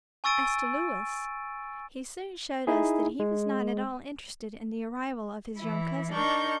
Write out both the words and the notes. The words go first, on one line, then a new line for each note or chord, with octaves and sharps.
As to Louis, he soon showed us that he was not at all interested in the arrival of his young cousin.
G#5 C#6 E6 A6 D7 D#7
D#4 E4 G#4
G#3
E3 E4
D4 D#4 A#4 C#6 G6